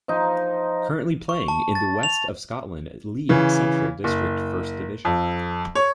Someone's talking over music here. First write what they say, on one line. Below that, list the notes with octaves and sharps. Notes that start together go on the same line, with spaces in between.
Currently playing in the West of Scotland League Central District First Division.
F3 D#4
C#6
A5
A6
F7
C#3 E3
F#1
F2
C#5